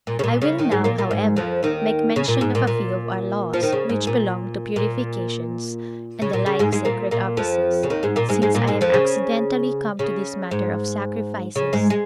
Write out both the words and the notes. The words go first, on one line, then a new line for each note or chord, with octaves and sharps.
I Will now, however, make mention of a few of our laws which belong to purifications, and the like sacred offices, since I am accidentally come to this matter of sacrifices.
A#2
C#3
A#2
C#3
D#2 D#3
G#2 G#3
A#2 A#3
A#2 A#3
G#2 G#3
F2 F3
D#2 D#3
C#3
A#2
G#2
A#2
A#2
F3
D#3
C#3
G#2
A#2
A#2
C#3
A#2
C#3
G#2 G#3
G#2 G#3
A#2 A#3
A#2 A#3
F2 F3
C#3
D#2 D#3
G#2 G#3
A#2 A#3
G#2 G#3
G#2 G#3
A#2 A#3
G#2 G#3
F2 F3
C#3
C#3
G#2
C#3
G#2 G#3
G#3